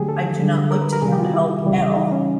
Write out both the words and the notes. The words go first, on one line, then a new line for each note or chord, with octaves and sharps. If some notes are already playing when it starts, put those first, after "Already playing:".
I do not look to him to help at all,
Already playing: D3 F#3 A3 G4 G#4
A4
D3 G3
A#4
B4
A#4
C3 D#3 G3 G#4
G4
F4
F#4
E4
C#3 E3 G3
D#4
C#4